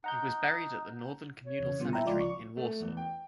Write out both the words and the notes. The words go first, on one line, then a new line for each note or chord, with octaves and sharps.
He was buried at the Northern Communal Cemetery in Warsaw.
D#4 F#5 A#5 G6
C#5
E2 C#3
A#2 D3 G3 B3 F4
E4 E5 G5 A#5
C#2 F3 G#3 F4 D5 D6
C#6
A3
E2
G5